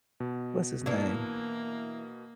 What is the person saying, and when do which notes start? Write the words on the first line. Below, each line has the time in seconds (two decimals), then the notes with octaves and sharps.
What's his name?
0.20 B2
0.86 E3 A#3 D4